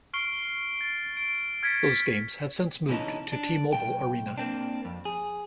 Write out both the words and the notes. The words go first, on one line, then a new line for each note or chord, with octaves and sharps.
Those games have since moved to T-Mobile Arena.
C#6 F6 C7 D7 G7
A6
D7
F6 G#6 A6 B6 C#7 D7
B2 D3 E3 C#4 D#4 A4
D4
B1 E3 G5
A#3 C4 D4
F2
G#4